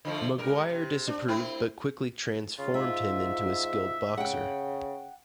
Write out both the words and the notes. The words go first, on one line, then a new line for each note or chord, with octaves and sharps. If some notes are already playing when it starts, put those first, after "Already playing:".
Maguire disapproved, but quickly transformed him into a skilled boxer.
D3 F3 A3
G2 G#3 A#4
C3
D4
A3 C4 E4
C#3 F4
G#2 F4 E5
C#3 F#5 G5